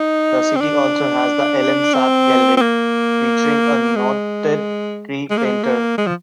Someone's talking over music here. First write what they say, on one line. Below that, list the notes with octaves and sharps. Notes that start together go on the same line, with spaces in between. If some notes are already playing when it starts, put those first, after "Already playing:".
The city also has the Allen Sapp Gallery, featuring a noted Cree painter.
Already playing: D#4
C4
D4
C4
C4
A#3
G#3
G#3
A#3
G#3
A#3
G#3
F3